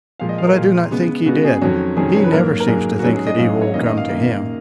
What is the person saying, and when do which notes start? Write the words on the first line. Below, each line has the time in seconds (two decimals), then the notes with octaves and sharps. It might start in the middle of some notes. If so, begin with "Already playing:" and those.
"But I do not think he did. He never seems to think that evil will come to him."
0.20 A#2 F3 G#3 F5
0.29 D#5
0.38 F5
0.47 A#4
0.56 A#2 F3 G#3
0.91 C#3 G#3 B3
1.26 C#3 G#3 B3 F#4
1.44 G#4
1.62 F2 D#3 F#3 C#4 F#4
1.97 F2 D#3 F#3 C#4 G#4
2.17 C#5
2.24 B4
2.32 G#2 F#3 A#3 A#4
2.60 A#4
2.67 G#2 F#3 A#3 G#4
2.99 F#4
3.03 G#2 F#3 C#4 G#4
3.15 G#4
3.27 D#5
3.38 G#2 F#3 C#4 F5
3.61 C#5
3.74 F#2 D#3 A#3 D#5
3.86 D#5
3.98 F5
4.09 F#2 D#3 A#3